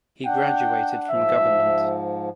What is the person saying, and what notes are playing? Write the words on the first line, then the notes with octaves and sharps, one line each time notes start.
He graduated from Govt.
D4 F#5 G5
G#2 F3 E5